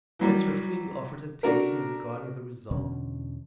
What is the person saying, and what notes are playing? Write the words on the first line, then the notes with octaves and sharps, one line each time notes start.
Bets were freely offered and taken regarding the result.
E3 F#3 G3
A3 D4 F#4 A#4
E2 B2 D3 C#4